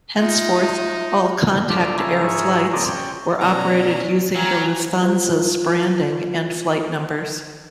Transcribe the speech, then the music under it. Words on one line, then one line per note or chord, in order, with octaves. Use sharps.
Henceforth, all Contact Air flights were operated using the Lufthansas branding and flight numbers.
G#3 D#4 F4 E5
F2 F3 D4 A4 D5 F6
C#3 E4 G#4 F5 A#5
G#2 E4 G#4 A#4 C#5
C#3 A#3 C4 A4 D5 D#5
C#4 G5
B2 C#4 D5 A#5
F#3 F5 G5 G#5 A#5
F4 C5